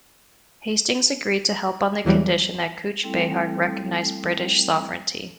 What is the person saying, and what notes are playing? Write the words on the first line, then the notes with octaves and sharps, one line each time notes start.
Hastings agreed to help on the condition that Cooch Behar recognise British sovereignty.
E2 E3 F#3 G3
G3 A3 C4 E4 A4 G5